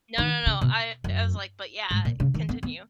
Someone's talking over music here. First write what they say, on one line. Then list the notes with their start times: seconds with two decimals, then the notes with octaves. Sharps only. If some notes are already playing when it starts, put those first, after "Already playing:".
No no no, I I was like but yeah, continue.
0.18 D#3
0.46 C#3
0.61 B2
1.04 F#2
1.91 G#2
2.05 A#2
2.20 C#3
2.34 D#3
2.49 B3
2.63 B3